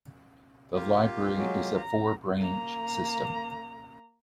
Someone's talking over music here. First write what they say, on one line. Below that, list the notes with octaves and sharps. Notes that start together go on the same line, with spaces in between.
The library is a four-branch system.
A#3 F4 G4
F#3 G#3
A#5
A#3 A#5